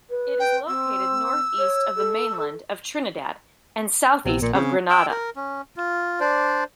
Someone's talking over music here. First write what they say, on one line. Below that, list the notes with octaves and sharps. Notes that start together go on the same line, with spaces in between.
It is located northeast of the mainland of Trinidad and southeast of Grenada.
B4
G5
C4 E6
C#5
A4
A#1 C3 B3 E6
A#1 A#2 A#3 C#7
C#3 C4 G#4
G5 E6
A#4
C#4
F4
D4 C5 D5